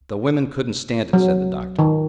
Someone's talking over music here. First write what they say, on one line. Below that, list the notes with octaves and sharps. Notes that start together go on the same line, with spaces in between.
"The women couldn't stand it," said the Doctor.
F#3
D#3